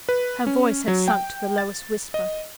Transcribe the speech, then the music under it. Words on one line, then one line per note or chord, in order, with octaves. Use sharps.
Her voice had sunk to the lowest whisper.
B4
C#4
F#3
G5
A6
D#5